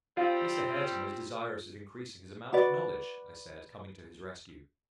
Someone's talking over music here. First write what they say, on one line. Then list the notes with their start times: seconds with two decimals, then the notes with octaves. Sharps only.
'Mr. Hareton is desirous of increasing his amount of knowledge,' I said, coming to his rescue.
0.17 G3 C4 F4
2.53 F#4 B4 D5